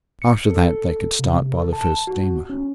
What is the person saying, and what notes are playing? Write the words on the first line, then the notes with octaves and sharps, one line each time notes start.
After that they could start by the first steamer.
C#7
A4
C3
A4
A5
F#4
C#4